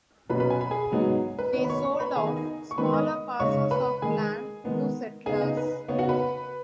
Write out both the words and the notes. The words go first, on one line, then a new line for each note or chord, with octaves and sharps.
They sold off smaller parcels of land to settlers.
B2 F#3 C#4 B4 B5
B4 B5
G#5
B5
G#4 G#5
G#2 F#3 B3 D#4
B4
D#3 B3 D#4 C#5
B5
C#5 C#6
C#5 C#6
B4 B5
D#3 B3 D#4 G#4 G#5
D#4 D#5
D#4 D#5
C#6
D#3 G#3 B3 D#4 B4 B5
D#5 D#6
C#3 G#3 D#4 C#5 C#6
B4 B5
D#3 G#3 D#4 G#4 G#5
D#3 G#3 B3 D#4
C#3 B3 D#4 G#4 G#5
D#4 D#5
B4
C#3 B3 D#4 C#5
F#4 F#5
B4 B5